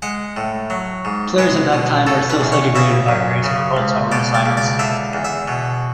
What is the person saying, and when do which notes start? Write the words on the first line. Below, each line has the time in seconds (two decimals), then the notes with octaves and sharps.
Players at that time were still segregated by race for hotel-room assignments.
0.02 G#3 F#5
0.37 A2
0.70 F#3
1.05 G#2
1.38 G#3 B4
1.73 B2
2.07 B2 A4
2.30 B4
2.41 E2
2.52 C#5
2.75 C#3 E5
3.09 F#2
3.44 C#3
3.77 C#2
4.12 B2 D5
4.35 D5
4.46 C#2
4.57 D5
4.79 D3 E5
5.13 E2
5.24 E5
5.48 B2